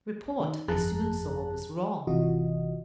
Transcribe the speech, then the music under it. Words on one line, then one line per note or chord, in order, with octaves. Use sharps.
Report, I soon saw, was wrong.
D#3
G1 F2 G#4 A5 A#5 F#6
G#1 C3 E3 F4 F#4 D#5